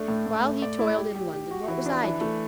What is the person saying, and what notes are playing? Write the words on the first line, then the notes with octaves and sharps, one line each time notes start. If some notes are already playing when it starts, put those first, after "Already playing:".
While he toiled in London, what was I doing?
Already playing: A3 D4
A2
A2
A3
D5
E4
G4
G4
G4
F#4
E3
D4
E3
A3